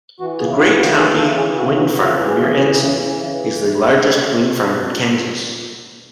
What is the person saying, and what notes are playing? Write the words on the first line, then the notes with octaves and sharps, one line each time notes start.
The Gray County Wind Farm near Ensign is the largest wind farm in Kansas.
E3 F#4
C#3 G#4
E3 F#4
C#3 F#4
E3 G#4
C#3 A4
E3 G#4
C#3 F#4
E3 F#4
C#3
F#4
E3
G#4
C#3
E3
C#3
E3
C#3
E3